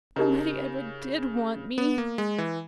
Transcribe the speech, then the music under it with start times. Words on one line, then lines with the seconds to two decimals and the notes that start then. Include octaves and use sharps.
Nobody ever did want me.
0.16 C#3 D#4 G4 A#4 D#5 A#5
1.78 B3
1.98 A#3
2.18 G#3
2.38 E3